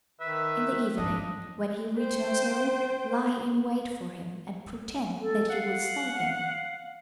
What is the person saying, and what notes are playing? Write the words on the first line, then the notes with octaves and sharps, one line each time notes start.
In the evening, when he returns home, lie in wait for him and pretend that you will slay him.
D#3 B4 E5
F2 G#2 D4 D#5
C5 G5
A4
F5 F#5